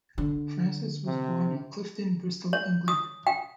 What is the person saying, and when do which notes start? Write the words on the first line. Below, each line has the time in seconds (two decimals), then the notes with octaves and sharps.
Francis was born in Clifton, Bristol, England.
0.18 D3
1.06 C3
2.53 C#5
2.88 D#6
3.27 G5